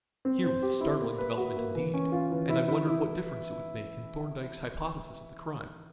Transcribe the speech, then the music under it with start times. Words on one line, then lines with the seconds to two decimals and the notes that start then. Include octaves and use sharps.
Here was a startling development, indeed, and I wondered what difference it would make in Thorndyke's hypothesis of the crime.
0.25 C4
0.44 C5
0.62 G4
0.81 E4
1.01 A#3
1.18 B4
1.37 F#4
1.56 A#3
1.75 E3
1.94 C#4
2.12 F4
2.31 E3
2.49 E4
2.68 E4
2.87 E4